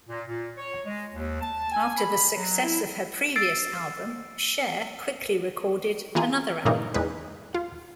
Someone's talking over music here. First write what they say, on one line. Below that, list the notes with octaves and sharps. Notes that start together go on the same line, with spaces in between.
After the success of her previous album, Cher quickly recorded another album.
A#2
A#2
C#5
G#3
D#2
A5
G#5
B5
F#3
E4
E6 A6 C7 D7
E3 A#3 F4 G#4
G2 A#2 C#3 E3 A#3 D#4
E2 G#2 B4
F4